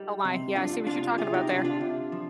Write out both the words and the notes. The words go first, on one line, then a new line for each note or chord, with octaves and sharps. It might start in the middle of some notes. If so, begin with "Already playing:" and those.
Oh my, yeah, I see what you're talking about there.
Already playing: G3 D#4
C3
G3 D4 F4
C3 D4 F4
C3 F4 G#4
D#4 G4
C3 D4 F4
D4 F4
C3
F3